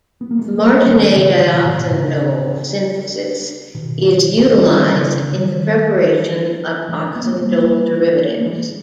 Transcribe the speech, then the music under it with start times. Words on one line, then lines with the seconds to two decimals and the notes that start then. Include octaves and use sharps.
The Martinet dioxindole synthesis is utilized in the preparation of oxindole derivatives.
0.21 B3
0.31 A#3
0.39 G#3 B3
0.60 G3 A#3
0.86 D#3 G3
1.12 C#3 E3
1.39 B2 D#3
1.65 G#2 B2
1.91 A#2 C#3
3.75 B2 D#3
4.53 D#3 G3
4.82 G3
4.93 C#3 E3
5.32 D#3 G3
6.88 E3 G#3
7.16 B3
7.23 A#3
7.31 G#3 B3
7.41 G3 A#3
8.37 A#3
8.46 E3 G#3